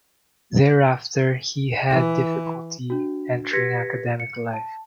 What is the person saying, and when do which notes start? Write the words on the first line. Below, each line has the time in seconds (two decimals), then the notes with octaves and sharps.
Thereafter he had difficulty entering academic life.
1.91 E3
2.90 D4 F#4
3.53 G4 B4 G#6 A#6 B6 C#7
4.20 C#7
4.53 A5